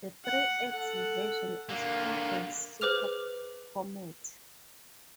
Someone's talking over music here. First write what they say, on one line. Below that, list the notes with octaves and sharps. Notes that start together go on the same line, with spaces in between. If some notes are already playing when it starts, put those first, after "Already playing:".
The three-axle version is called the Super Comet.
F#5
A4 F#5
D3 A#3
G#4 B4 C5 D6 F6 F7